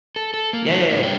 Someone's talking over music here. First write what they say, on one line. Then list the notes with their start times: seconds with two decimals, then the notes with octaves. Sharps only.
Yeah, yeah, ye
0.16 A4
0.34 A4
0.53 A#3
0.69 D#3 A3 F4
0.90 G#2 A#3 D#4 E5
1.03 C3 G3 D4 A4 A#4 G5